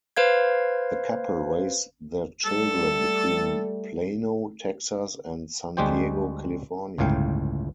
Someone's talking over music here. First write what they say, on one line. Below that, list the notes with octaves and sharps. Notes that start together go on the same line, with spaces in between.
The couple raise their children between Plano, Texas and San Diego, California.
B4 C5 F5 G#6
G3 A3 A4
D2 G3 G#3 G4 C5 G5
G1 C#2 A2 F5 G5